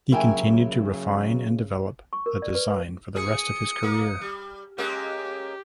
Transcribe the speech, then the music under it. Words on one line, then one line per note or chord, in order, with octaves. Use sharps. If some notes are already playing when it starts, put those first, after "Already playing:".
He continued to refine and develop the design for the rest of his career.
C#3 F#3 A#3 E4 G5 G#5
C#6
A#4
D5
B4
B4
G#4 D#6 C#7
A#3
G3
G#3 A#3 C#4 G4